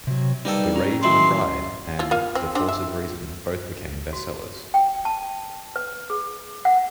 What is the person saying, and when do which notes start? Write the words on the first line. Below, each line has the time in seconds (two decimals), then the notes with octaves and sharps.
"The Rage and the Pride" and "The Force of Reason" both became bestsellers.
0.07 C3 F#3
0.45 G3 A#3 D#4 A4 B4 G5
0.75 C#4 A#5
1.03 D#3 E3 F#3 C6
1.99 E4 F4
2.11 A#3 F4 F5
2.35 C4 C5
2.55 C4 D4 C5
2.69 E5
4.13 F#4
4.74 G5
5.05 A5
5.76 B4
6.10 G#4
6.65 F#5